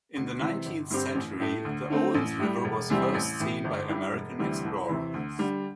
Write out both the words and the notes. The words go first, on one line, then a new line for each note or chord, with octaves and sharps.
In the nineteenth century, the Owens River was first seen by American explorers.
D2
C3 E3
G1
G2 D3 C4 G4
A1
A2 A3
D2
D3 A3 C4
A1
A2 G3
E1
E2 C3 G3 C4
A1
A2 E3
G1
G2 G3 E4 G4
E1
D2 C3 E3 G3
C2
C3 E3
D2
D3 G3